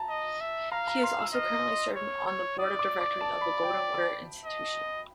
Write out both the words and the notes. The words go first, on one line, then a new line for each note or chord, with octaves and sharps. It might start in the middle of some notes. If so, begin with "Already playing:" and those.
He is also currently serving on the Board of Directors of the Goldwater Institute.
Already playing: A5 A#5
D#5
E5
F5 A#5
A#5
C6
E6
D#5 F6
C#5
C#5
D5 D#6
D6
D6
A5
B5
G5
D#5